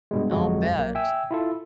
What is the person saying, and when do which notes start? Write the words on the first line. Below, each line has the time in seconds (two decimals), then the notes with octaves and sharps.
I'll bet.
0.11 G2 B2 G3 G#3
0.31 G1 F2 F#3 G#3 F#4
0.75 B1 A#3
0.95 E5 G5 G#5 E6
1.31 E4 F4 A4